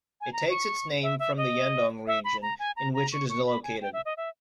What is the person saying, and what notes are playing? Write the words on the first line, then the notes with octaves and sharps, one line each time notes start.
It takes its name from the Yeongdong region, in which it is located.
G#5
A#5
C#6
E5
E5
D#5
E5
B5
A#5
G#5
A#5
A#5
C#6
C#6
B5
G#5
G5
E5
D#5
E5